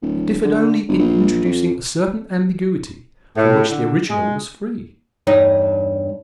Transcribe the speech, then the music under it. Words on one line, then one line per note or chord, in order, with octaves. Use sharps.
It differed only in introducing a certain ambiguity from which the original was free.
D1
D3
G1
A#1
F2
A2
D3
G#3
E2 G2 D#4 C#5